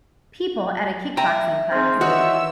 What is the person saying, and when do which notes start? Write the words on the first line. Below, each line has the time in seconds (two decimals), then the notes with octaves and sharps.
People at a kickboxing class.
1.17 E4 G5 A#5
1.71 C4 D#4 G#4 C6 F6 G6
2.01 D#3 E3 F#4 C#5 D#5 E5 E6